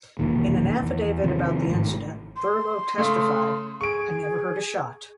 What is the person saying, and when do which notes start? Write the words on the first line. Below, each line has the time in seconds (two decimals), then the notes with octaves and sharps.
In an affidavit about the incident, Thurlow testified, I never heard a shot.
0.19 E1 A#1 D#2 D#3
0.83 E2
1.24 C3 D#3 F3 C4
1.68 G#1 A2
2.36 C6
2.98 C#3 A3
3.81 G#4 C#6 D7